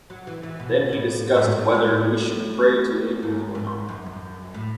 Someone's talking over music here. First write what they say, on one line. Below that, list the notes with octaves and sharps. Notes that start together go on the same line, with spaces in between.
Then he discussed whether we should pray to angels or not.
F#3
E3
E3
B2
A2
F#2
A2
G#2
G#2
A2
G#2
G#2
F#2
A2